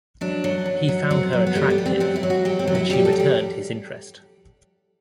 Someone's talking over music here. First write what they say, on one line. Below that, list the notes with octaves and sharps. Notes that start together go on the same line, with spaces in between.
He found her attractive, and she returned his interest.
F#3 D4
F#3
F#3
F#3
F#3 C4
F#3
B3
G3 A3
B3
G3
C4
F#3 C4
E4
F#3
F#4
F#3 G4
C4
F#3
E4
G3 G4
A4
G3
G4